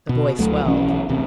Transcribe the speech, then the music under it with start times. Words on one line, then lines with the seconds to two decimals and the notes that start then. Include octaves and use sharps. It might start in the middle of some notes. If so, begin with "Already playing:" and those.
The boy swelled.
0.09 B2
0.39 D2 F#3 A3
0.64 B1 E3 F3 C#4
1.09 D1 A1 C3